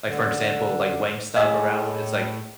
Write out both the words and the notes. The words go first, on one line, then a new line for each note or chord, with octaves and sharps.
like for example, like Wingstop, around w it's like
D3
A2 G#4 D#5 E5 F#5